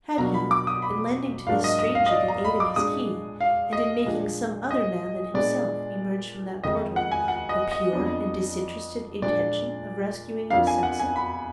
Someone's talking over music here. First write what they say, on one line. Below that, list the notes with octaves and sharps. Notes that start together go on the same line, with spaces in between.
Had he, in lending to this stranger the aid of his key, and in making some other man than himself emerge from that portal, the pure and disinterested intention of rescuing an assassin?
B2 F#3 A#3 D4 A#5
B5
D6
D#6
B5
G#2 F#3 A#3 D4 F5
D#5
D#5
F5
D#5
D5
A#5
B5
D6
A#2 G#3 D4 D#6
F5
D#5
A#2 F3 G#3 D4
D#5
A#2 G#3 B3 D4 D5
F2 D#3 G#3 D#5
F#5
G#5
F#5
D#5
D#5
F2 F3 B3 D4
A#2 F3 G#3 D4 D5
F2 F3 A#3 D4 F5
G#5
F#5
G#5
B5